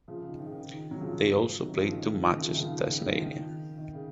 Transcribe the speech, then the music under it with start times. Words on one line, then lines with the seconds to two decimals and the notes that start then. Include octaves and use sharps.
They also played two matches in Tasmania.
0.08 C#3 F3
0.28 D#3
0.39 D#3
0.45 C#3
0.52 D#3
0.91 F#3
1.00 C#3 F3
1.61 D#3 F#3
1.77 C#3 F3
1.92 D#3
2.09 C#3
2.23 D#3
2.39 C#3 F3
2.49 D#3
2.54 C#3 F3
2.85 D#3
3.01 C#3
3.10 F3
3.17 D#3
3.77 D#3
3.93 C#3